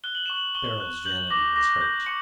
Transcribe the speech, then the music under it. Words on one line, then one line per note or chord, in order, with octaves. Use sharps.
Beryl's vanity was hurt.
F#6 G7
F#7
C#6 E7
F#7
C#6 G7
F#6
G6 F#7
D6 A#6
D6 A#6
G6 A#6
C#6 C#7